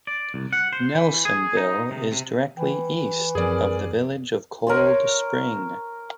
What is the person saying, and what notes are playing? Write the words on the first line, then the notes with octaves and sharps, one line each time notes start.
Nelsonville is directly east of the village of Cold Spring.
D5
C2
F#5
C5
E3
G#4
D#4
C3
C3
E3 G5
F#2 F3 C4 G#4 A#4 D5
A#4 C#5 C6